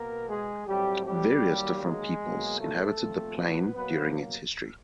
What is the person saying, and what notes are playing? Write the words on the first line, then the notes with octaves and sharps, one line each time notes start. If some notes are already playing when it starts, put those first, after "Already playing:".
Various different peoples inhabited the plain during its history.
Already playing: B2 A#3 B3 A#4
G#3 G#4
A2 F#3 G3 A3 C4 G4
G3 G4
D#3 F#3 A#3
G#3 G#4
B2 F#3 A#3
A3 A4
A#2 F3 A3 C4
B3 B4
B2 F#3 A#3 B3 B4